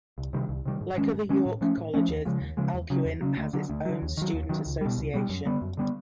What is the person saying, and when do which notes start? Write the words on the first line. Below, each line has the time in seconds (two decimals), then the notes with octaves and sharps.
Like other York colleges, Alcuin has its own Student Association.
0.18 C2
0.33 C3 D#3 G3
0.49 C2
0.65 C3 D#3 G3
0.81 G#2
0.97 D#3 G#3 C#4
1.14 G#2
1.29 D#3 G#3 C#4
1.46 A2
1.61 F3 A3 C#4
1.77 A2
1.94 F3 A3 C#4
2.09 D#2
2.25 C#3 F3 G#3
2.41 D#2
2.57 C#3 F3 G#3
2.74 E2
2.90 C#3 F#3
3.05 E2
3.21 C#3 F#3
3.37 D2
3.53 D3 F#3
3.70 D2
3.85 D3 F#3
4.02 D#2
4.17 D#3 F#3
4.34 D#2
4.49 D#3 F#3
4.66 C#2
4.81 B2 G3
4.98 C#2
5.14 B2 G3
5.29 F#2
5.46 D3 G3 B3
5.62 F#2
5.77 D3 G3 B3